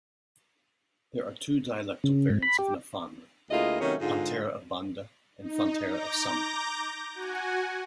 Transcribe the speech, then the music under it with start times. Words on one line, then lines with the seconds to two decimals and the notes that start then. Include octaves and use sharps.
There are two dialectal variants of Nafaanra: Pantera of Banda, and Fantera of Sampa.
2.04 C#3
2.30 G#2
2.42 B5
2.58 G4
3.51 D2 A#3 E4 F4 G#4 D#5
3.81 C3 D#3 F#3 A3 C#4 C#5
4.01 G#2 D3 F4
5.41 D#4
5.87 A#5 D6 G6 A#6
7.15 F#4 F#5 G#5